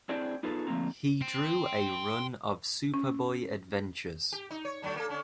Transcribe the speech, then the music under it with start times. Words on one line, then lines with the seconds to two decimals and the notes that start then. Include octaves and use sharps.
He drew a run of Superboy adventures.
0.09 C4 D4 E4 G#4 C5 G5
0.43 B3 D#4 F4 G#4 A4 B4
0.67 D3 F3 A3 A#3 C4 A#5
1.22 G5 C6
2.94 C#4
4.33 G4
4.51 D#4
4.65 C#5
4.82 D3 F#3 A3
4.96 A#3 A4
5.09 D3 C#4